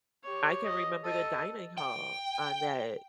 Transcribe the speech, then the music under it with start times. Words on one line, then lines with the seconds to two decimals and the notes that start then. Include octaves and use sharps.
I can remember the dining hall on that
0.23 G4 C#5
0.64 D#5
1.04 A4 D#5
1.78 G5